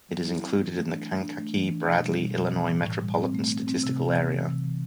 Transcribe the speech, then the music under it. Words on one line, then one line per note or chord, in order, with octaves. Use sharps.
It is included in the Kankakee-Bradley, Illinois Metropolitan Statistical Area.
F#3
E4
C4
E3
A3
D4
A3
D4
A3
E3
D4
B2
G3
B2
B2
E3
A2
A2
G3
C4
A3
C4
C4
C3
C3
C3
E3
C3
E3